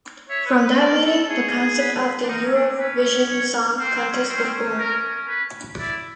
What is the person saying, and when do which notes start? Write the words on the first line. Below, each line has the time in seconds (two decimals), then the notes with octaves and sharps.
From that meeting, the concept of the Eurovision Song Contest was born.
0.29 C#5 E5
0.46 B4
0.62 B4
0.79 A#4 D5
1.05 A4
1.23 A4
1.29 G#4 C#5
1.79 B4
2.24 D4
2.28 D#4 A#4
2.46 C#4
2.54 D4
2.79 C#4 B4
3.28 C#5
3.79 C4 C5
3.95 C4
4.12 C#4
4.29 C4 C5
4.36 C#4
4.43 C4
4.53 C#4
4.79 A#4
5.28 B4
5.78 E4 D5